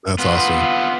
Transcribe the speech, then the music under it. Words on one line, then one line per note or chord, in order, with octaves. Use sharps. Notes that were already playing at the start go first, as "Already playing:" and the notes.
That's awesome.
B3 F4